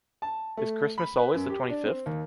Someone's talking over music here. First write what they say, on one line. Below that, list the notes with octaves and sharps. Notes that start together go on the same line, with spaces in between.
Is Christmas always the twenty fifth?
A5
A3
B5
B4
F#2
G4
D4
C4
D#2